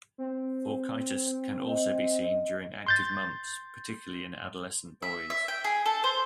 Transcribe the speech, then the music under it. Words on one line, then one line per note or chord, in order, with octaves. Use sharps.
Orchitis can also be seen during active mumps, particularly in adolescent boys.
C4
D#5
C6 G6 A6
E5
E5
G5
G#4
A4
C5